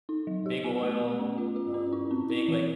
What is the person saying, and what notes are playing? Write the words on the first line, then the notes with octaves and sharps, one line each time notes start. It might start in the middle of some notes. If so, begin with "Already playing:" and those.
big oil, um, the big, like,
D#4
F#3
G4
B3
A3
A3
C#4
F4
F4
C#4
E4
C4
E4
E3